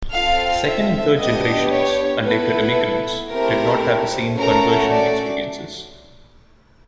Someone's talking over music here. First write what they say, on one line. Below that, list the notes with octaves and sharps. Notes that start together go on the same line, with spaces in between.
Second and third generations, and later immigrants, did not have the same conversion experiences.
C4 F4 A4 F5
E5
B3 D4 G4 D#5
C#5
B3 E4 A4 B4
A3 C4 E4 G4 A#4
A3 C#4 F#4 A4 A#4
D5